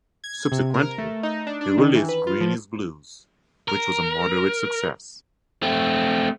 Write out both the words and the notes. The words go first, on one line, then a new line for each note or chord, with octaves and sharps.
Subsequently, he released "Green Is Blues", which was a moderate success.
G#6
C3
A#4
A3
D#4
D4
D4
D#3
E3
B4
F4
F3
A#4
A3 C4